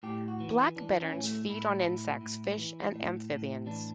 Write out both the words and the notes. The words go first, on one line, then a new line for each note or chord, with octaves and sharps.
Black bitterns feed on insects, fish, and amphibians.
A2 G4
F#4
E3
E3 D4
C#4
A2
A3
A2 E4
A2
A2
E3
A2
A2
E3 D4